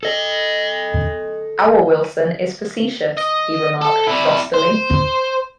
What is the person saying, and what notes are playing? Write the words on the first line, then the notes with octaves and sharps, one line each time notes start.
"Our Wilson is facetious," he remarked frostily.
A4 D#5
D#5
A4
G3 E4
C5